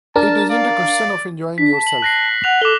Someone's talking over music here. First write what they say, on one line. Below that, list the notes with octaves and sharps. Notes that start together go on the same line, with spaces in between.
It isn't a question of enjoying yourself.
D4 A#4 A5
D5 F5
D4 B6
A5
F#7
F#6 A#6 C7
F#5 F#6 F7
A4 D6 G7